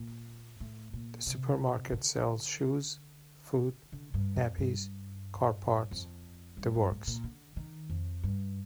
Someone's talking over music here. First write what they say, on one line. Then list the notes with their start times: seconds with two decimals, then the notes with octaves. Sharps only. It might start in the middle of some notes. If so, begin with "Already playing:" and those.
This supermarket sells shoes, food, nappies, car parts... the works!.
Already playing: A#2
0.60 A2
0.93 A#2
1.27 C3
1.93 D3
3.92 D3
4.14 G2
4.36 F2
4.58 G2
5.91 F2
6.57 G2
6.74 G2
6.91 A2
7.07 A#2
7.24 D3
7.57 D#3
7.89 F2
8.23 G2